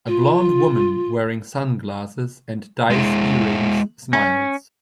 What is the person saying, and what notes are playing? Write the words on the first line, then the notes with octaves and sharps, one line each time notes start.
A blond woman wearing sunglasses and dice earrings smiles.
F4
G#3 E4
C#4